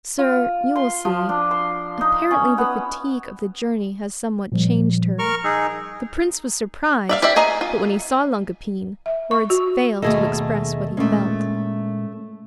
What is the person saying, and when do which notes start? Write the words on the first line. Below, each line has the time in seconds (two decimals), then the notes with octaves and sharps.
"Sir, you will see; apparently the fatigue of the journey has somewhat changed her." The Prince was surprised, but when he saw Longue Epine words fail to express what he felt.
0.19 F4
0.76 C6
1.05 F3
1.29 D4
1.51 C6
2.01 D#4
2.31 C#4
2.58 B3
4.52 A#2 F3 G3
5.19 A#4 C#6 F6
5.44 D#4 G#4 E6
7.09 D5 E5 F5
7.22 G4 C5 D5 E5
7.36 G#4 D#5 G#5 A#5
7.61 F4
9.06 E5
9.31 C#6
9.50 F#4
10.02 D#2 B2 A3 G#4 A4 D#5
10.97 A#2 G#3 A3 C#4